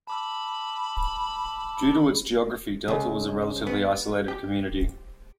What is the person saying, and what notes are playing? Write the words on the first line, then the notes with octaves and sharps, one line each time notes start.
Due to its geography, Delta was a relatively isolated community.
A5 B5 D6 E6
C#2
B3
G4